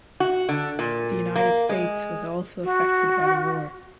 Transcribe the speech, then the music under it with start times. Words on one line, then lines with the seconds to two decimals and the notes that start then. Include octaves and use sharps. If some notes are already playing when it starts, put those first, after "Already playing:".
The United States was also affected by the war.
0.20 F#4
0.49 D3
0.79 A#2
1.36 A#3
1.69 G#3
2.64 F#4